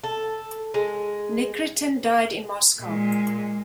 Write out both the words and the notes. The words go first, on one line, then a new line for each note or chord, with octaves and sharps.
Nikritin died in Moscow.
A4
G#3
A#2 G#3